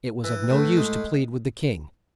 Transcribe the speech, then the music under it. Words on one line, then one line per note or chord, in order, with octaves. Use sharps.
It was of no use to plead with the king.
E3
A2
G#3